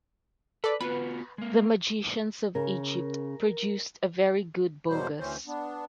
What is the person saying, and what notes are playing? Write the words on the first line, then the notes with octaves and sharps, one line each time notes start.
The Magicians of Egypt produced a very good bogus.
A4 B4 D5
B3 F4 F#4 B4
G#3 A#3
C#3 A#4
E2 B2 F#3 G3 A#3 C5
D2 E3 C4 C#4 C5
B3 D4